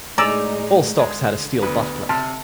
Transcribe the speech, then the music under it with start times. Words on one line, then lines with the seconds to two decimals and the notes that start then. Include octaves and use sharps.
All stocks had a steel buttplate.
0.18 A2 G#3 D#4 D5 G#5 A#5 E6
0.99 D3 G#3
1.62 D2 B3 B4
2.09 C3 A5 C6 F6